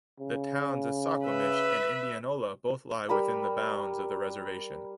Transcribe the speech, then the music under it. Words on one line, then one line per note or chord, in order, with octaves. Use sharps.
The towns of Suquamish and Indianola both lie within the bounds of the reservation.
C#3
B4 E5
G3 A#4 B5 E6